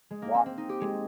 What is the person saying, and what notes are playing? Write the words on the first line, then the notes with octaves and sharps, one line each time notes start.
watching me.
G#3
A#3
C4
C4
D#4
G4
G#3